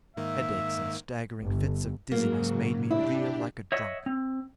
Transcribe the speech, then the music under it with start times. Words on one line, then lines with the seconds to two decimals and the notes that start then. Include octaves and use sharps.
Headaches and staggering fits of dizziness made me reel like a drunk.
0.17 G#2 D#3 A#3 E5
1.41 G1
2.11 G#2 C#3 F#3 A#3
2.91 D4 E4 G4
3.72 C#5 D#5 E5 F#5
4.06 C4